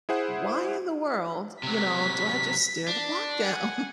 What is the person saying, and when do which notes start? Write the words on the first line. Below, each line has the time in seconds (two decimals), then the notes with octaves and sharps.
why in the world, you know, do I just stare the clock down?"
0.09 E4 G#4 C5 F#5
1.63 C3 F#3 B6
2.88 D4
3.39 F#5 G#5